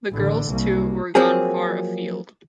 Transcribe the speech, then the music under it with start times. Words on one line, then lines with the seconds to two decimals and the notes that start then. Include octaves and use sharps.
The girls, too, were gone far afield.
0.11 A1 D3
0.49 C2 A#3
1.15 F3 F#3 A#3 C4 G#4